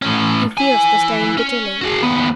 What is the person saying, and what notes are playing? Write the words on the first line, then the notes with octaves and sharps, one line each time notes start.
He feels the stain bitterly.
A2 C#4
E4 G#5
C#4
F#4 G#4
D#2 B3